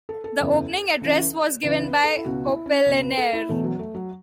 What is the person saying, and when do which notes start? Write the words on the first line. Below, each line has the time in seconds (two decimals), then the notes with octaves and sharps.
The opening address was given by Apollinaire.
0.09 A4
0.24 A4
0.40 F#1 E2 C#3 E3
1.01 C#2 C#3 E3
1.63 C#2 C#3 E3 B4
1.84 B4
2.04 A4
2.17 E4
2.25 C#2 B2 F#4
2.46 E4
2.66 C#4
2.86 C#2 B2
3.02 B4
3.18 A4
3.33 E4
3.49 E1 E2 B2 A3
3.64 F#3
3.79 A3
3.95 F#3